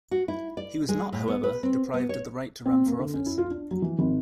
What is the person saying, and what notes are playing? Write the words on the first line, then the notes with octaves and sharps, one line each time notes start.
He was not, however, deprived of the right to run for office.
F#4
E4
D5
G#3
A2
B3
B4
C4
B3
C#5
C4
A#3
D3
C#4
E4
F4
D4
F#3
E3
G#1